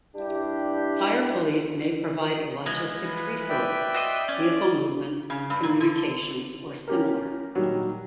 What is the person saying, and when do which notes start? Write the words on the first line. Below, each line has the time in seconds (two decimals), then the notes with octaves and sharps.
Fire police may provide a logistics resource - vehicle movements, communications or similar.
0.16 G2 D4 E4 G4
2.66 E3 F3 G#3
3.04 B4
3.49 D5 E5 G5
3.95 F#4 C5 D#5
4.29 C#4 D5
5.30 C#3
5.50 G2
5.63 A#2
5.80 D3
6.88 C#4 G4 A#4
7.55 A#2 D#3 F#3 G3